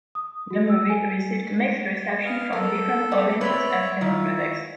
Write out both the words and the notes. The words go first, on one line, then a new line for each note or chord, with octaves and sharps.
The movie received mixed reception from different audiences and film critics.
D#6
F#4
E6
G#5
B4 D#5 F5
A4 A#4
A3 C4
C4 B4 C#5 D5 E5
D#3 E4 F4